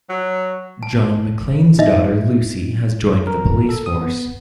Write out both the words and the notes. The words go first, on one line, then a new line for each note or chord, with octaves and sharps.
John McClane's daughter Lucy has joined the police force.
F#3
A5
D#4 D#5 E5
A#4
A4
D#6
B3